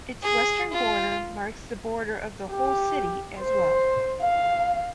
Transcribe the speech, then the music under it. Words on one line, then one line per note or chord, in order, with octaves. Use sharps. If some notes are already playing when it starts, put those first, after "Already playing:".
Its western border marks the border of the whole city as well.
G#4
F4
G4
C5
F5